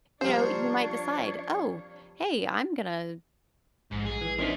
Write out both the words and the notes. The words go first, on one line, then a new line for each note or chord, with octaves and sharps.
you know, you might decide, "Oh, hey, I'm gonna
F3 G3 C4 D4 A#4 C5 C#5
A#1 G#2
G#4
E3
C4 D4 D#4 A#4 E5